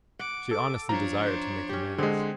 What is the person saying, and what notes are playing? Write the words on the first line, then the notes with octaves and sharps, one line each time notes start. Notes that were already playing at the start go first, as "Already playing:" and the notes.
She honestly desired to make amends.
F#5 D6
A4 D6
F3 D4 C#5 A#5
C5
C#4 G4
D3 G#3 C4 G#4